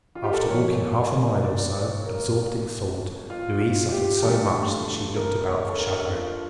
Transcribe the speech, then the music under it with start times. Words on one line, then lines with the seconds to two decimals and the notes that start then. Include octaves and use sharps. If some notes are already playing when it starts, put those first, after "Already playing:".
After walking half a mile or so, absorbed in thought, Louise suffered so much that she looked about for shadow.
0.15 F4
0.24 G4
0.33 A4
0.41 A#4
0.49 A#2 F3 A#3 C#5
1.44 D5
1.74 C#5
2.05 A#4
3.30 F4
3.61 F4
3.91 G4
4.17 G4
4.22 G2 E3 A3 A4
5.16 A#4
5.47 C#5
5.69 A4
5.78 A#4
6.09 F4